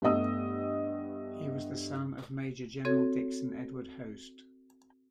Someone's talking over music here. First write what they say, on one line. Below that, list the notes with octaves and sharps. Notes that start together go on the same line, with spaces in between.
He was the son of Major General Dixon Edward Hoste.
G2 A3 B3 D#5 D#6 E6
C4 F#4 A4 C#5 G#6